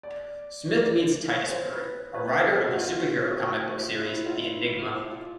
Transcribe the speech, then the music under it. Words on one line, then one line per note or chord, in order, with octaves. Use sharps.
Smith meets Titus Bird, a writer of the superhero comic book series "The Enigma".
D5
C#5
C5
B4
B4
A4
F4
F#4
F4
F#4
F4
E4
F4
E4
E4
F4